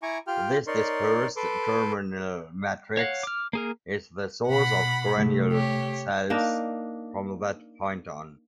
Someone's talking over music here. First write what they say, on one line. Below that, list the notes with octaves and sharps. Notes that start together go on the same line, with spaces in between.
This dispersed germinal matrix is the source of granule cells from that point on.
E4 G#5 A#5 C#6 D6
F4 G4 G5 F6
D#4 A#4 C#5 D5 C6
A4 B4 C6 D6
C#5 F5 F#5
D6 F6
A#3 G#4 A#4
B2 F#5 B5
C3 A3
G4 C#5
A#3 D4 D#4